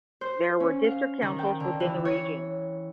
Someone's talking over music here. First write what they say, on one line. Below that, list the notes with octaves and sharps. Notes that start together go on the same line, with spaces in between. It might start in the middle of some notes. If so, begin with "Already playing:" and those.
There were district councils within the regions.
C5
C#4
F5
D#3
G5
D3
E3
C#5